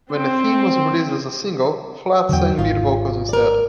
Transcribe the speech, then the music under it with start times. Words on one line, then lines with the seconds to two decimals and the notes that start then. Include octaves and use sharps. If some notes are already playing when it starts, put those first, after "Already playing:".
When the theme was released as a single, Flatt sang lead vocals instead.
0.11 C4
2.29 E2 D3 F#3 G5
2.59 G#1 F4
3.29 A#4 D5